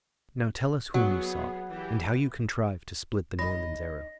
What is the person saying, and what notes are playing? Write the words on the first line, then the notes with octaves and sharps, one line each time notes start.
"Now tell us whom you saw; and how you contrived to split the Norman's arrow."
F#3 B3 G#4
E3 G4
D#1 D#4 C#5 D#5 B5 A#6